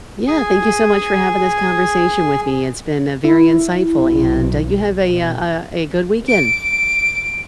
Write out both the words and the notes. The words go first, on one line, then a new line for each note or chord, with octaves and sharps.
Yeah, thank you so much for having this conversation with me, it's been, uh, very insightful, and, uh, you have a, uh, uh, a good weekend.
G#4 G#5
E4
B1
B2
D7